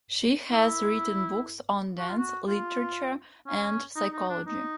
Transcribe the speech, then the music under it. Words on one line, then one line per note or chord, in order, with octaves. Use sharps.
She has written books on dance, literature, and psychology.
E4
F#4
F4
F#4
F4
C#4
D#4
D#4
D4
D#4